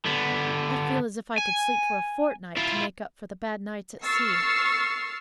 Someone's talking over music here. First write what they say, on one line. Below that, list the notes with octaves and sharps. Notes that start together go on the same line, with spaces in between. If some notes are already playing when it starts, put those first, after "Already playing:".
"I feel as if I could sleep for a fortnight to make up for the bad nights at sea."
D3 B3
G#5
E4 F4
C#6 E6 F6 A6 C7 C#7